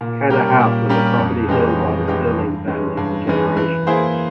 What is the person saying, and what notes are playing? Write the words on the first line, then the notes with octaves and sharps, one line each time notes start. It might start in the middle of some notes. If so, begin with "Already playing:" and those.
Cadder House was a property held by the Stirling family for generations.
A#2
G3 C#4 G4 A#4
A#2
G3 C#4 G4 A#4
F2
E3 G#3 C#4 G4
F2
E3 G#3 C#4 G4
G2
E3 G#3 C#4
G2
E3 G#3 C#4
E3
A#3 E4 G#4 C5